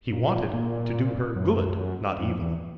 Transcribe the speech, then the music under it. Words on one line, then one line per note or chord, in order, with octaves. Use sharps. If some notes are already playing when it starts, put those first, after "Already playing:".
He wanted to do her good, not evil.
A#2
A#2
F#2
F2
E2